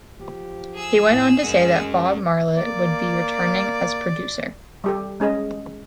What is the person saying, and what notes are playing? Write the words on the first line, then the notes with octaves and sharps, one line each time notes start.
He went on to say that Bob Marlette would be returning as producer.
F3 G4
G#4 E6
A2
F#2 G#3 C#4 F#4
A#3 D5
G3 G4 A4
G#3 C#4 G#4 D#5